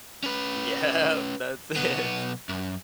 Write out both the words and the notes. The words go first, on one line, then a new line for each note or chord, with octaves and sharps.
Yep, that's it.
C#4 B4
B1 B3
F#2